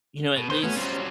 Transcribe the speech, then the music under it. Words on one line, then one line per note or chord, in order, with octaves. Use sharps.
you know, at least
B2
D#3 B4 C5 C6
A3 B3 C#4 F#4
F#3 G3 C#4 F4 G4 C5